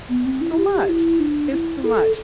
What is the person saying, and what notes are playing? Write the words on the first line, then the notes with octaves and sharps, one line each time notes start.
too much, it's too much.
B3
C4
E4
G4
E4
D4
E4
A4